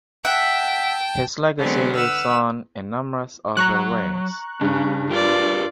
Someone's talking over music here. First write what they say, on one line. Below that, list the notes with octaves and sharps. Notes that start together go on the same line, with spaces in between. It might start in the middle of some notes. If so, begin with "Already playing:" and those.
His legacy lives on in numerous other ways.
E5 F#5 G5 A5
D3 F#3 G#3 B3 C4
B4 F#5 E6 F6
F#3 A#5 C#6 F#6
G2 C#3 C#4
F4 G4 A#4 B4 D5